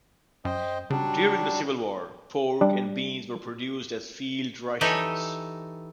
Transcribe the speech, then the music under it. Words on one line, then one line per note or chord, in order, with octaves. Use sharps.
During the Civil War, pork and beans were produced as field rations.
F#2 C5 D#5 G5
C#3 F#3 G3 D4
G3 D4
E3 D#4 G4 A4 C#5 G#5